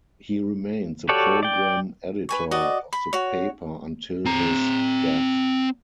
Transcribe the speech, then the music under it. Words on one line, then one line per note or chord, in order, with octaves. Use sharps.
He remained the programme editor of the paper until his death.
F#4 G4 A4 C#5 D5
D5 G5
B4 G#5 C#6
F#4 D5 D#5
B5
F#4 C#5
C4 A#5